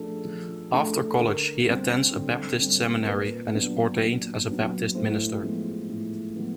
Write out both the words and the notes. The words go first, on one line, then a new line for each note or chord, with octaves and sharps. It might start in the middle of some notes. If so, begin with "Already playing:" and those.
After college, he attends a Baptist seminary and is ordained as a Baptist minister.
Already playing: F3 A3 D4 G#4 A4
F3
A3 D4
D3 A#4
G3 C4
D3
G3 C4
A#4
A#2 B4
F#3 B3 D4
A#2
F#3 B3 D4
A2 C5
F3 G#3 B3
A2
F3 G#3 B3